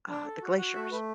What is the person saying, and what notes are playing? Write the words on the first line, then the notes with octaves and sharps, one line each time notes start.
uh, the glaciers.
D4
A4
F#4
F#4 F#5
A3 E5
A3 B4